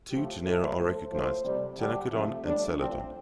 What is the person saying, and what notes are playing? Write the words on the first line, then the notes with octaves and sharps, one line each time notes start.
Two genera are recognized: "Ctenacodon" and "Psalodon".
A2 F3 A3 G4
A2 A3 A4
A2 A3 C5
A2 F3 A3 C5
C3 G3
D3 G3 G4
C3 F3 A3
A2 G3 D4
D3 F3 A3 C4